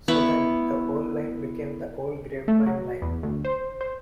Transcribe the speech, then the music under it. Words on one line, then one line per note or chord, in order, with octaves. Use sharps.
So then, the old line became the Old Grapevine Line.
B3 E4 B5 C#6
A3
F#3
E2
D2
C5
C5